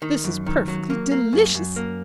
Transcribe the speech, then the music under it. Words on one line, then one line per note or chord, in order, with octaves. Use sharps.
This is perfectly delicious.
D#3
F#2
D#3
F#3
A#3
A#3
F#2
F#2
A#3